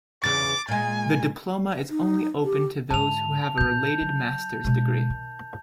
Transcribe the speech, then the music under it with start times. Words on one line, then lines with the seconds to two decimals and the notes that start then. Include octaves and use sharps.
The diploma is only open to those who have a related Master's degree.
0.24 E2 C#3 D6 A6
0.68 A#2 G#3 G#5
1.90 D#4
2.44 G4
2.90 G#2 D3 A5 F7
3.58 A#2 D#3 G6
4.01 F#3
4.64 B2 G#3
5.10 D#3